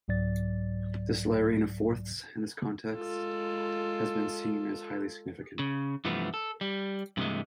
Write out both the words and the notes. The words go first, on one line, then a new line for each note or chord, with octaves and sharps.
This layering of fourths in this context has been seen as highly significant.
C2 G#2 F#3 D5 A6
G#3 F4 A4
C#3
G2 C3 E3 F3 A3 B3
A4
G3
G2 C3 E3 F#3 G#3 A3